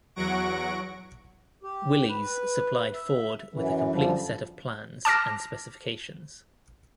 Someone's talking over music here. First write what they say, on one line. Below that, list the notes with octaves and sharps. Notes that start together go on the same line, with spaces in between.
Willys supplied Ford with a complete set of plans and specifications.
E2 F#3 F#5 C#6 A#6 D7
G4
B4
E5
F#2 E3
F#2 D3 F3 G3
A5 D6 F6 A#6